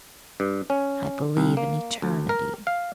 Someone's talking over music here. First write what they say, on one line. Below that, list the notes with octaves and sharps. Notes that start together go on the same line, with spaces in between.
I believe in Eternity.
G2
C#4
C2
A#3
D2
A#4
F5